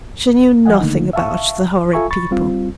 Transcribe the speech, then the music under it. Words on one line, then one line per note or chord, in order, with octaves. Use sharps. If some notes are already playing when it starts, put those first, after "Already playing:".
She knew nothing about the horrid people.
F3 D#5 F#5 G#5
D3 D#3 A3 A#3 D#4
E5 F5 A5 C#6
F4 A4 E5 G#5 A#5 C#6
B5 C#6 A6
G3 C4 F4